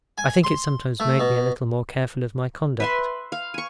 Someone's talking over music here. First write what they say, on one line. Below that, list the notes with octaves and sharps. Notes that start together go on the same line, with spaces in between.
I think it sometimes made me a little more careful of my conduct.
G#5
C6
A3
B2
B4 E5 C6
F5
G#5 C#6